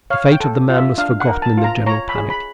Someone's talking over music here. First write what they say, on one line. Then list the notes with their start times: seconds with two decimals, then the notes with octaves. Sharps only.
The fate of the man was forgotten in the general panic.
0.10 C#5 F5
0.32 G5
0.40 A4
0.70 F4
0.77 E5
0.98 D4 F5
1.20 F#5
1.27 A#4
1.42 A5
1.57 F4
1.64 A#5
1.86 C#5 A#5
2.09 B5
2.15 G#4
2.30 B5